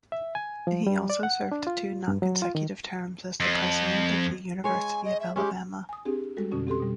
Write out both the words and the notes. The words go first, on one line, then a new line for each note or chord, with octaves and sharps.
He also served two nonconsecutive terms as the president of the University of Alabama.
E5
G#5
F3
G3
D5
F#5
D4
F4
G2
F#3
F4
D#3
F2
G#3 C#5 G#5
D#5
E5
G#3 C#4 G4
G#5 D#6
C4 D4 G4 G#4
G3 G#3 F#4 A4
F2 B2 D3 C#4 F#4
C4 G4 A4 C6
B2 G3